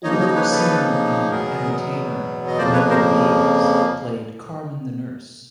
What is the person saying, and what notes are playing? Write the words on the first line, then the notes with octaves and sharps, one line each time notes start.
Local singer and entertainer Mary Davies played Carmen the Nurse.
C#3 F3 A#3 D#4 C#5 D#5
C#5 D#5
B4 C#5
A4 B4
E2 B2 F#3 B3 G#4 A#4
D#5
F2 C#3 F3 A#3 C5 D5
B4 C#5
A#4 C5